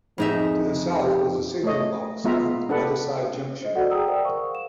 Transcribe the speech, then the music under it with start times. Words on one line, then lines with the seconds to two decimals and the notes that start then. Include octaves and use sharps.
To the south was the signal box and Meadowside Junction.
0.18 F2 G#3 D#4 E5
0.99 G4
1.64 A3 C#5 D#5
2.24 G#3 B3 F4 E5 A#5
2.69 D4 G4 A4 B4 F#5
3.62 C5 D#5
3.75 F#4 A4 D5 F#5
3.90 G#4 G5 A#5 D#6 E6
4.07 A#4 C5 D5 E5 F#5 G5
4.24 A#4 C5 F5 C#6
4.55 E7